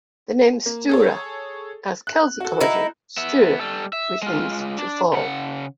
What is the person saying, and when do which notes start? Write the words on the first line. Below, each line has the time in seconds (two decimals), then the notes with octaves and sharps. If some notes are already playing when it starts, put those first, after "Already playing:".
The name Stura has Celtic origin: "stur", which means "to fall".
0.66 A#3
0.89 G#4 A4 C#5
2.07 F#6
2.40 F#4 A4
2.60 D#4 E4
3.17 B3 E5
3.60 G3 A4
3.93 E5
4.23 G#3 F4
4.78 D4
5.13 C#3 F#5